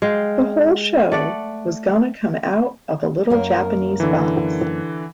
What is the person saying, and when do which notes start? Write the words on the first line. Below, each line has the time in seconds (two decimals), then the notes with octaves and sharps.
The whole show was gonna come out of a little Japanese box.
0.02 G#3 F5 G5
1.12 A3 D5 F#5
3.30 F#2 A#3 A#4
4.00 D3 E3